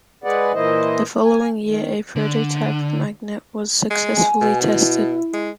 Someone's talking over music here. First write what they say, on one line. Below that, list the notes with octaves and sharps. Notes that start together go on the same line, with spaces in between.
The following year a prototype magnet was successfully tested.
G#3 G#4 B4 D5 F#5
A#2 E3 A#3 E4 C5 D#5
G#5
D#3
D3
G#3
G#5
B2
E4
G#3